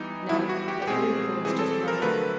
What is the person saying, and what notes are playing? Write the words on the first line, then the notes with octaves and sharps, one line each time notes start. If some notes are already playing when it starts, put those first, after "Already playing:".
'No; but Billy the Boy's just rode up.
Already playing: E3 G3 B3 D#4
E3 G3 B3 E4
F#4
G4
G4
B2 G#3 C4 G#4
E3 G3 C4 G#4
A4
A#4
D3 F#3 A3 B4